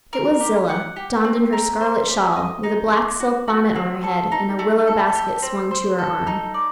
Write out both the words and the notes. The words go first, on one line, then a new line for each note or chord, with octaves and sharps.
It was Zillah; donned in her scarlet shawl, with a black silk bonnet on her head, and a willow-basket swung to her arm.
A#4
G4
F#5
G4
C4
A#4
C5
G4
D#5
D#4
A#3
F#4
F#4
C4
A4
D#4
A3
A4
G4
C4
C5
A4
D#4
D5